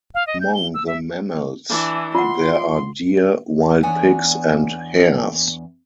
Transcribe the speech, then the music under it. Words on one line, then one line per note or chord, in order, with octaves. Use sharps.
Among the mammals, there are deer, wild pigs and hares.
F5
D#5
G6
G7
E6
E5
E3 D4
F4 F#5 C6
E2 B3 D4 C#5 F#5 G#5